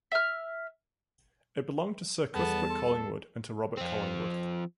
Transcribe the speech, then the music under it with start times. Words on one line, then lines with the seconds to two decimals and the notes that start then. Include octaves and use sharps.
It belonged to Sir Cuthbert Collingwood; and to Robert Collingwood.
0.12 E5 F6
2.34 E2 G3 B3 G#4 A4 A5
2.70 A4 C6
3.77 F3 C4